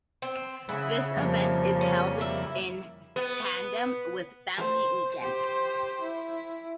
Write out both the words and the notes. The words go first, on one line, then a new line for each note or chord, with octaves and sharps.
This event is held in tandem with Family Weekend.
C4
C#3 E4 G#4 E5 F#5
F2 F3 G3 A#3
C#4
E4
B3
C5
G4 C5
E4